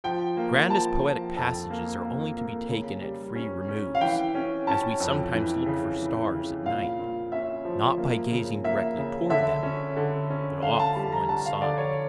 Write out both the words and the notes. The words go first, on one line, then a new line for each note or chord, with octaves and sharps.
Grandest poetic passages are only to be taken at free removes, as we sometimes look for stars at night, not by gazing directly toward them, but off one side.
F3 G5
A#3
F3 A5
F3
F2 A5
A#3
A#3
A#3
C#3
G3
C#4
C#4
F5
E3 G5
C#4
C#4 A5
F2
E3
C#3
E3
C#3
A#2 F5
A#2
C#4 E5
F3
A#3
C#3
A#3 E5
C#3
D3 E5
C#4
D3
C#4
D3 F5
A5
G3 A5
A#5
D3 A5
F5
D3 D5
C#5